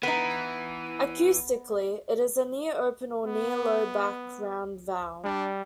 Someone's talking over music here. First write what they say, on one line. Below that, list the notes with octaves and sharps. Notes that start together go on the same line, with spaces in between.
Acoustically, it is a "near-open" or "near-low back rounded vowel".
E3 B3 D#4
B3
G3 D4